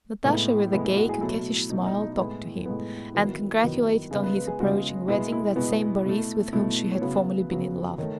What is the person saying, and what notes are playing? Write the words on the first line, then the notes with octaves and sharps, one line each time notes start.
Natasha with a gay, coquettish smile talked to him, and congratulated on his approaching wedding that same Boris with whom she had formerly been in love.
A2 G#3 B3 E4
A2 G#3 B3 E4
E4
F#4
G#4
B2 F#3 A3 E4
B2 F#3 A3 D#4
D#4
D#4
D#4
A2 G#3 B3 E4
A2 G#3 B3
D#3 F#3 B3 E4
D#3 F#3 B3
C#3 G#3 B3 G#4
B4
B4
G#4
C#3 G#3 B3 F#4
B2 G#3 B3 E4
E4
B2 G#3 B3
B2 A3
B2 A3 E4
C#5
C#3 F#3 B3 B4
C#3 F#3 B3
D#3 A3 C#5